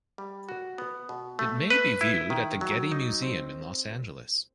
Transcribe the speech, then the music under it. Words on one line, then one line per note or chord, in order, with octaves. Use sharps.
It may be viewed at the Getty Museum in Los Angeles.
G3
F#4
B3
B2
A3
B4
E4
D#3
F#3
D#4
C4